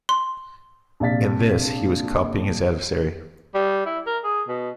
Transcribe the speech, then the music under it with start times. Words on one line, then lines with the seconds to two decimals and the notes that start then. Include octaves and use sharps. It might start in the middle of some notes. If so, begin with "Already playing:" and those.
In this he was copying his adversary.
0.09 C6
1.00 A#1 C3 D5 F5 A6 B6
3.54 G3
3.86 E4
4.07 A#4
4.24 G#4
4.48 B2